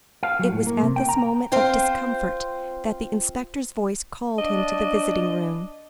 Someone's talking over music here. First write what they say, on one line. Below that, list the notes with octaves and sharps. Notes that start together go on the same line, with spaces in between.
It was at this moment of discomfort that the inspector's voice called him to the visiting-room.
F5
F#3
A2
A#3
C3
G5
A#5
C4 F4 C5 G5
D4 D#5